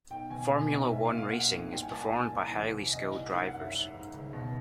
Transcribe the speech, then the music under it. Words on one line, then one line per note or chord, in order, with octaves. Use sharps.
Formula one racing is performed by highly skilled drivers.
B1 G5
B2 G#5
G#5
B2
B1
B1 E5
F5
A#2
F5
A#2 F#5
B1
C2 G5
G#5
A#2 A5
G#5
A#2
C2
E3
C3
C2 D#5
C2
D#3 F5
F#5
F#2
E5
G#1
G#1
C#2
B2